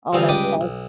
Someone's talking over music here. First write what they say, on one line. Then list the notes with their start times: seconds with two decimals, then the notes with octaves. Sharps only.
all that stuff.
0.13 D3 E3 G3 C4 D#4 F4
0.28 C#2 G2 B4 G5 D6 D#6
0.61 B1